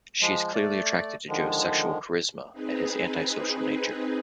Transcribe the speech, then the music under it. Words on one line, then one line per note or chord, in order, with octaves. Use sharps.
She is clearly attracted to Joe's sexual charisma and his anti-social nature.
F3 G#3
A3 D5
D3 D#3 F3 G#3
C4 D#4 G#4 B4